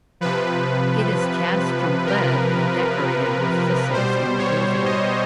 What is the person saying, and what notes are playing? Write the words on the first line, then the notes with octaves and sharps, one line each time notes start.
It is cast from lead and decorated with thistles and gilding.
C3 F3 B4
A#4
B2 G3 C5
C#5
D#5